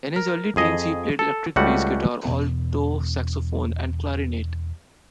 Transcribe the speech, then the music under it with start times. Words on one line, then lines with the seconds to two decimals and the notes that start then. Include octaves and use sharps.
In his early teens he played electric bass guitar, alto saxophone, and clarinet.
0.16 A#4
0.56 F2 G#4 D#5
1.19 A4
1.56 C#2 G3 A3 F#4 F#5
2.25 E2 B2 B3